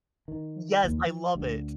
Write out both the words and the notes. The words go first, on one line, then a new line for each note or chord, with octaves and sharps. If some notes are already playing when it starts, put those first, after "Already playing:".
Yes, I love it.
D#3
D#2
F3
D2